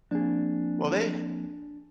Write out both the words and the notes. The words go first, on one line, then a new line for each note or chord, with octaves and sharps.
Well, they
F3 A#3 C4 D4 G#4